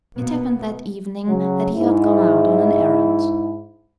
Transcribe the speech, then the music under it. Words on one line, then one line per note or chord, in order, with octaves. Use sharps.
It happened that evening that he had gone out on an errand.
B2 A#3 B3
C#3 F#3
G#2 E4